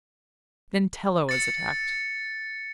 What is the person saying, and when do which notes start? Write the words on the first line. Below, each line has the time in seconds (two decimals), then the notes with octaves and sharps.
Then Tela was attacked.
1.29 A6 C#7